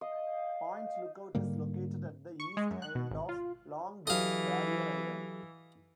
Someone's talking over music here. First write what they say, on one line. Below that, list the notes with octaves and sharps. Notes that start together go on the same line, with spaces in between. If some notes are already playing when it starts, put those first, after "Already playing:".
Point Lookout is located at the east end of Long Beach Barrier Island.
D#5 F5
G#2 D3 G3 A#3
C#6
G#3
F#2
F#6
B2
G#1
F4
E3 F#3 G4 A4 D#5 F5